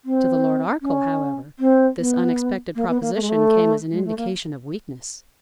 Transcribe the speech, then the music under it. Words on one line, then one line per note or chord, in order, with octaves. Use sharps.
To the Lord Arkell, however, this unexpected proposition came as an indication of weakness.
C4
C#4
C4
B3
A#3
B3
A#3
A3
G#3
A3
G#3
A3
A#3